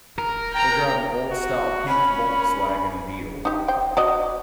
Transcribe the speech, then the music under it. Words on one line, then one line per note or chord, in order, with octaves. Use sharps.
They drive an old style pink Volkswagen Beetle.
A#4
G5 A#5
F#4
C#4 B5
D#4 G4
C5 G5
F#4 D5 D#5